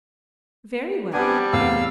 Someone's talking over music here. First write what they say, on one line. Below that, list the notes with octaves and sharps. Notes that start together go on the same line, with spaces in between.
"Very well."
G3 B3 C4 D4 G#5
E2 A2 C3 F5 E6